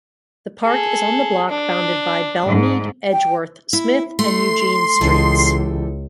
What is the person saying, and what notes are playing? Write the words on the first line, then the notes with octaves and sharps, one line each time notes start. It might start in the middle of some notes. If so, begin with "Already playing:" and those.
The park is on the block bounded by Bellemeade, Edgeworth, Smith, and Eugene Streets.
G#4 A4
D4
G#2
G5
E4
A3 C6
C#2 E3 G4 A4